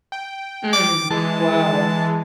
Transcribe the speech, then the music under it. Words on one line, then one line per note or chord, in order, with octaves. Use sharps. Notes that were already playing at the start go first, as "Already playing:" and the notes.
Mm, wow.
G5
D6
E3 G#3 A5